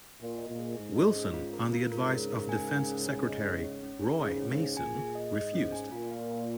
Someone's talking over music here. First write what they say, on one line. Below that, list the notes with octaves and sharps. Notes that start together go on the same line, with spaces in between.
Wilson, on the advice of defence secretary Roy Mason, refused.
A#2 A#3
D#5
A#2
G#4
G#2 G#4
D#5
C#4
F4
A#4
F4
G#2 C#3 A#4
A#4
A#4
G#5
A#4
C#4
G#5
D#5
C#4
C#5
C#4
G#4
G#2 C#3 C#4
C#4
G#2 C#3
G#4
A#2 G#5
G#4
D#5
G#2 D#5
C#4
G#5
A#2 F4
F5
F4